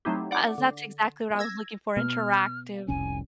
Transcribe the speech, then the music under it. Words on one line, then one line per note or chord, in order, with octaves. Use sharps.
Uh, that's exactly what I was looking for, interactive
F#3 A3 C4 D#4 E4 G4
D5 F#5 D6
D3
E6 G#6 A#6
B2 B3 F6
F1 C2 C#4 G#5